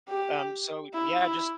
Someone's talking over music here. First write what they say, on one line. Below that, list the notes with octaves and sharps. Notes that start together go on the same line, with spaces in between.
Um, so, yeah, just
G4
E4
E4